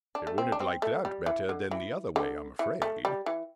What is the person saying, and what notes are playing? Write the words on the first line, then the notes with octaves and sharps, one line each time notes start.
"It wouldn't like that better than the other way, I'm afraid?"
D4
A3
C4
D4
C4
A3
G3
E3
D3
E3
D3
E3
A3
G3
E3